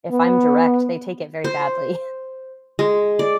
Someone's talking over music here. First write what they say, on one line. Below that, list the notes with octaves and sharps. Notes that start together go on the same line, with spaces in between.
if I'm direct, they take it very badly.
B3
C5
G#3
D5